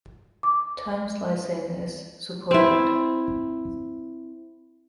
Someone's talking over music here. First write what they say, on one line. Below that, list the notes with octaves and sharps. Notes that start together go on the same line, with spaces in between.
Time slicing is supported.
D6
C4 E4